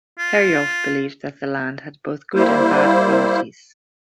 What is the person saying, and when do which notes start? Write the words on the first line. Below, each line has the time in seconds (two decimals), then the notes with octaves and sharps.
Herjolf believed that the land had both good and bad qualities.
0.19 F4
2.35 G3 A#3 E4 C5